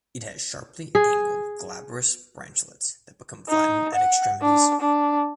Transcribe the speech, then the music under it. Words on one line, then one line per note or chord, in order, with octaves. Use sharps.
It has sharply angled glabrous branchlets that become flattened at extremities.
G#4
D#4
F#5
D4
D4